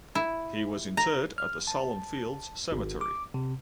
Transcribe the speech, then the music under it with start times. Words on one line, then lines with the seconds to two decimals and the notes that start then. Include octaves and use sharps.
He was interred at the Salem Fields Cemetery.
0.15 E4
0.97 A#5
1.38 F6
1.67 A5
2.72 G#1
3.01 D6
3.34 C3